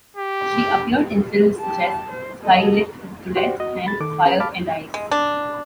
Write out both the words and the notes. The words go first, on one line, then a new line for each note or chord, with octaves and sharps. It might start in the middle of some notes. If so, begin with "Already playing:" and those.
She appeared in films such as "Ski Lift To Death" and "Fire and Ice".
G4
G4 A5
C5
A4 D#5
F#4 G4 C5 D5 F#5 G5
F#4 D#5
B5 A6
D#3 A4 D6
C#4 G#4 B4 A#5
F5 A5 B5 D6 F6
G#3
D4